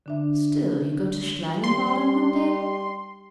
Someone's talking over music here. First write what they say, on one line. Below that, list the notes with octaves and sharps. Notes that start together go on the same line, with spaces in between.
'Still, you go to Schlangenbad on Monday?'
D3 D4 E5
G3 C6